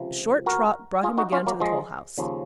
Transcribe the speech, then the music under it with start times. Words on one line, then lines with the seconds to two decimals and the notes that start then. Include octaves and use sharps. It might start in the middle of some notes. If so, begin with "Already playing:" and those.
A short trot brought him again to the toll-house.
Already playing: C#2 C3 F3
0.46 F#4 A#4
1.03 F4 G#4
1.17 D#4 F#4
1.32 C#4 F4
1.47 F#3 A#3
1.60 F3 G#3
2.18 D#2 C#3 F3